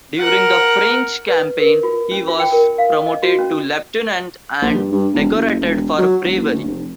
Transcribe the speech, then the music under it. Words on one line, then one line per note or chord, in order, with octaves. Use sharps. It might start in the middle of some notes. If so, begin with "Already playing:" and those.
During the French Campaign he was promoted to Leutnant and decorated for bravery.
A#4 F#5
B4
A#4
F4
C#4
F4
G5
A#4
F5
D#5
F#4
C#4
A#1
G2
G2
E1
F#1
E1
F#3
E1
F#1
D2
F1